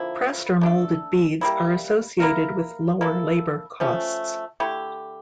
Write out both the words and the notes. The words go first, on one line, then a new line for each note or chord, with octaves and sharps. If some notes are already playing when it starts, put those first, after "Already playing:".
Pressed or molded beads are associated with lower labour costs.
Already playing: D3 F3 A#3 E4
A3 D4 A4
G3 A#3 E4
A#3 E4 A#4
A#3 E4 A4
F3 A3 C#4
D3 A3 E4 G4